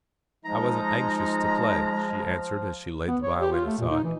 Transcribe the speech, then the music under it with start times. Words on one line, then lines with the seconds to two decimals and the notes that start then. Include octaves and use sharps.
"I wasn't anxious to play," she answered as she laid the violin aside.
0.45 F3 G#3 D#4 A#5
3.07 B3
3.22 C#5
3.40 G4
3.52 F4
3.66 A3
3.78 A#2
3.90 D#4
4.03 E3